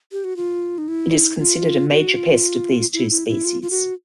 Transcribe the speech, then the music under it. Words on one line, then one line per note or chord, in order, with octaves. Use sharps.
It is considered a major pest of these two species.
G4
F#4
F4
D#4
E4
F4
F#4
F4
E4
E4
E4
F4
F4
F#4